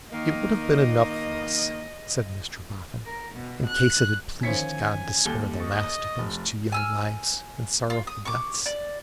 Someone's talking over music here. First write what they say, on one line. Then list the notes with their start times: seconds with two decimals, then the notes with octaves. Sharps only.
'It would have been enough for us,' said Mr Boffin, 'in case it had pleased God to spare the last of those two young lives and sorrowful deaths.
0.13 D#3 A#3 D#5
3.05 A#4
3.34 B2
3.66 F#6
4.43 D3 D#3 F3 C#4 E4 G#5 B6 C#7
5.25 D#2 G3 G4 A4 G7
5.60 D#5 C#6 A6
6.18 F1
6.72 G#5 E6 F6
7.90 F4
8.07 D#6
8.25 C#6 D6
8.66 D5